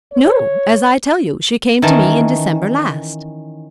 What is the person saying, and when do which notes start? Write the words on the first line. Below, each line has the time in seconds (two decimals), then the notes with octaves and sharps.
"No; as I tell you, she came to me in December last."
0.13 C#5
1.82 D#3 E3 C#4 A5